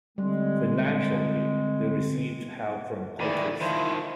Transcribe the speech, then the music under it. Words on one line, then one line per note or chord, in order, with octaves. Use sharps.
Financially they received help from Quakers.
D3 G3 G#3 C4
D#3 E3 D5 B5
D#3 F3 E4 C5